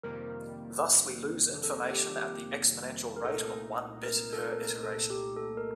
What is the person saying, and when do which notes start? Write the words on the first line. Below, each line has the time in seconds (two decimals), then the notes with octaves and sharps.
Thus we lose information at the exponential rate of one bit per iteration.
0.03 F2 C3 D#3 G3 A#3 A#4
1.64 A4
1.90 G4
2.17 G4
3.16 A#4
3.23 C2 A#2 A3 D#4 A4
4.03 A#4
4.33 A4
4.43 A#4
4.83 A4
5.10 G4
5.36 A4
5.57 A#4